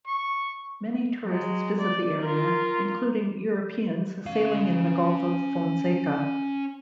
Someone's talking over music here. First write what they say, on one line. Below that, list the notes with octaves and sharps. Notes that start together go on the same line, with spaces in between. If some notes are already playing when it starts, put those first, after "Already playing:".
Many tourists visit the area, including Europeans sailing in the Gulf of Fonseca.
C#6
F#3 G#3
D5
F4 A#4
C#4 F5